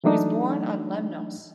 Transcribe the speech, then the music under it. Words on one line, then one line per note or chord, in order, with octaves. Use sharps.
He was born on Lemnos.
E3 F#3 A3 D4 D#4